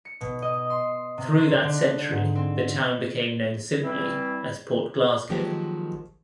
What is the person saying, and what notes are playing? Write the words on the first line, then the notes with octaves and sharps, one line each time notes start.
Through that century the town became known simply as Port Glasgow.
C#7
B2
D#5
C6
C3
C5
D3
G#2
C4
E3 G3 C4 E4
D#3 F3 F#3 G#3 A#3 G4